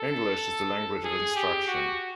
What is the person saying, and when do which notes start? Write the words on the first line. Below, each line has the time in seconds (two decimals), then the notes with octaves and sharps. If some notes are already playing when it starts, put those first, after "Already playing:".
English is the language of instruction.
Already playing: A4
1.04 G#4
1.36 G4
1.68 F#4